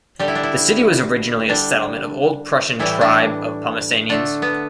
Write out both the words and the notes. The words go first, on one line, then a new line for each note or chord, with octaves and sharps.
The city was originally a settlement of Old Prussian tribe of Pomesanians.
D3 G3 G4
E4
D4
E4
D3 G3 D4
A2 E3 G3 E4
D4
D3 A3 D4
B3